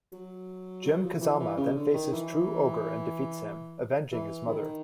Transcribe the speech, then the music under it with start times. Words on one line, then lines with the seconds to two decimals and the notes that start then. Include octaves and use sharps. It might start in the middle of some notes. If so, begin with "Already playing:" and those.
Jin Kazama then faces True Ogre and defeats him, avenging his mother.
0.12 F#3
0.85 F#3
1.03 F3
1.21 E3
1.40 E3
1.57 C#3
1.76 D3
1.94 D#3
2.12 E3
4.12 E3
4.48 D#3